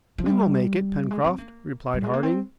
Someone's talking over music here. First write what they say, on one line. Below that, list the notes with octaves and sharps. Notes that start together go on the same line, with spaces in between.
"We will make it, Pencroft," replied Harding.
F3
G3
G#3
C4
A#3
G3
G#3
A#3
C4